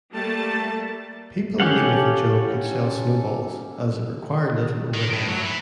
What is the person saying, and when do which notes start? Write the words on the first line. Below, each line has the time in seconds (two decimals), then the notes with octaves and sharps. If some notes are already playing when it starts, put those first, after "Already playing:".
People in need of a job could sell snowballs, as it required little overhead.
0.14 G3 A3 A#3 A5
1.60 C#4 G4 A4 F5 F#5
4.94 D#3
5.13 A2
5.29 F#3
5.43 E3